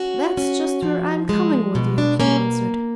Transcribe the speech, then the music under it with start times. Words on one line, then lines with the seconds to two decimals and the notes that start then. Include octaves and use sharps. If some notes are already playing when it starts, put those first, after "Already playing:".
"That's just where I'm coming with you," he answered.
Already playing: C#4 F#4
0.37 C#4
0.82 F3
1.29 G#3
1.75 B2
1.98 D4
2.20 A#3 C#4